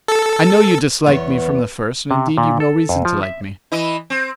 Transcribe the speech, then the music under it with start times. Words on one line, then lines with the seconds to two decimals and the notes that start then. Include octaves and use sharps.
I know you disliked me from the first and indeed you've no reason to like me.
0.08 A4
1.06 E2 B3 C#5
2.11 C3
2.38 A#2
2.60 A4
2.89 F2
3.05 F3
3.23 E5
3.72 E3 E4 D#5
4.10 C4